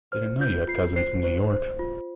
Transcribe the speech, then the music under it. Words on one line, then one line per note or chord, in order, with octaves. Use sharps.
Didn't know you had cousins in New York.
C5 F6
F4 G6
F4 C7
C5 C7
C5
C5
F4